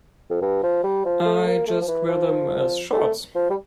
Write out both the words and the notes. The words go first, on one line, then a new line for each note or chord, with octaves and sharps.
I just wear them as shorts.
F2
G2
F3
G3
F3
A3
A#3
A3
F3
E3
F3
A3
F3
G3